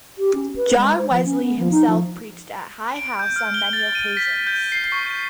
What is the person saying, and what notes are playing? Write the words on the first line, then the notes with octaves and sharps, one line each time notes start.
John Wesley himself preached at High House on many occasions.
G4
C#4
B4
G#3
C5
F3
C#4
B3
F3
D#4
F3
D7
G6
F6
G7
A6
D#7
B6
G6
C7
C#6
G6